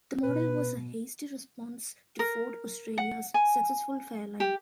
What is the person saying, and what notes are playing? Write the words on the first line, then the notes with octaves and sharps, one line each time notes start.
The model was a hasty response to Ford Australia's successful Fairlane.
B2 B4
A#4
F#5
G#5
G4